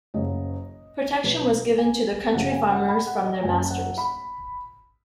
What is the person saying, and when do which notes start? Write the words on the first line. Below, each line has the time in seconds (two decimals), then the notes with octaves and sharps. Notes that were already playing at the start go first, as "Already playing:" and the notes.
Protection was given to the country farmers from their masters.
0.14 F#1 F#2 C#3 F#3 D#5
1.24 B1 B2 F#3 B4
1.78 G#5
2.33 F#1 F#2 C#3 F#3 F#5
2.51 G#5
2.70 F#5
2.88 B5
3.07 F#5
3.25 D#5
3.43 F#1 F#2 F#3 G#5
3.70 F#5
3.98 B5